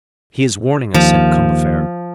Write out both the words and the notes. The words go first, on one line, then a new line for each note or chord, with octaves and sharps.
"He is warning us," said Combeferre.
D#2 F3